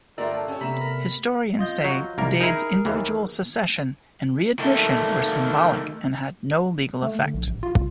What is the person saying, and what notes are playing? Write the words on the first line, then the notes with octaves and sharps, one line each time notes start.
Historians say Dade's individual secession and readmission were symbolic and had no legal effect.
G1 A3 F4 G4 A#4 D5 E6
A4
C#4 G4 C#5 G#5 E6
C3 A3 B3 A#5 B5 E7
A#4
F4 D#5 G6
F#3
C2 A#3 A#4
D#4 E4 G#4 A#4
D#2 E3
D#3 A3
A3
D3
A#1
A1
F4
C2